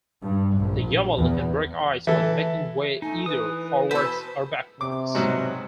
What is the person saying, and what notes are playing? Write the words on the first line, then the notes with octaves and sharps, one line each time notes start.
The "Yamal" can break ice while making way either forwards or backwards.
G2
A#1
E2
E3 A4 E5
A3 D#4 G#5
E3 B4 D#6
B2 A4 B4 C5 G#5
C3 D6
G#2 B2 F#3